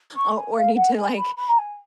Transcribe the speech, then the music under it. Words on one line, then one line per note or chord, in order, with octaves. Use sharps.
or need to, like,
C#6
G#5
F5
F#5
G#5
B5
B5
A#5
G#5